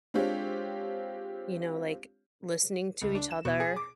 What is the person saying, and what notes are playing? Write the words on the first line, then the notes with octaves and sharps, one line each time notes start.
You know, like listening to each other
G#3 C4 D4 F4 G4 C#5
C#2
D4
E7
B2
G#4
D6